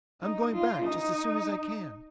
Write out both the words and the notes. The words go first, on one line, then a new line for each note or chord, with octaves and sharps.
I'm going back just as soon as I can.
D#4
F4
D#4